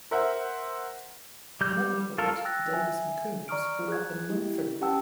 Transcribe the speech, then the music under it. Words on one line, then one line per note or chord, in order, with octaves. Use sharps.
Another poet, Davis McCombs, grew up in Munfordville.
A#4 C5 E5 F#5
G3 G6
F4 A4 A#4
G5 E6 F#6 A6 A#6
E5 G#5
D5 A#5 C#6 D#6 F6 D7
G#4 F#6 G#6
E4 G4
C#4 G4 F#5 G5 A5 E6